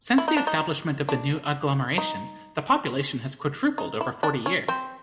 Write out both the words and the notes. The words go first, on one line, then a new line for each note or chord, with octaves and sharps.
Since the establishment of the new agglomeration, the population has quadrupled over forty years.
E4
D#4
D4
D#4
D4
D#4
D#4
E4
D4
C#4
C4